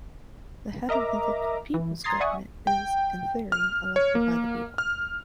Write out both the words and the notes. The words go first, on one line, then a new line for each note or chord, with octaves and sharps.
The head of the local People's Government, is, in theory, elected by the people.
A#4 D#5 E5 A#5 D6
E3
A#5 C6 D#6 G#6 A6 C7
D5 E5 F#5 G#5 C#6 D#6
G5
F6
C#5
A#3
F6